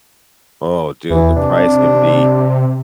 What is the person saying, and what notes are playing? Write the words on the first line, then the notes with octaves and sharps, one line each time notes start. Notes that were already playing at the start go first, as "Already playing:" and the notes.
Oh, dude, the price can be
E2 E3
C3 D4